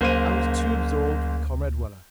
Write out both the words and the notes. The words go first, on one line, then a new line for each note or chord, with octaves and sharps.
'I was too absorbed with Comrade Waller.
F#1 D2 A#3 C5 D#7